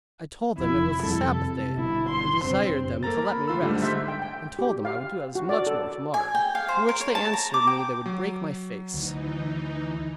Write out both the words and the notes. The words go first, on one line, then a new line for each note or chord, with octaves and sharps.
I told them it was the Sabbath day, and desired them to let me rest, and told them I would do as much more tomorrow; to which they answered me they would break my face.
F1 F2 E4
F2 C3 G3 A4
C3
G1 G2 B2 E4
C6
F#1 G2 C4
A#3 A4 A#4 A#5 A6
B5
D2 F4 B5 E6
G#2 D3 G3 A3
G#2 E5 C6 G6 B6
G5
G5
G4
F5
F#4
D5
A4
G#5
G5
F5
C5
A#4
C#5
A5
A#5
D6
G5
F#3
D2 E3 D#4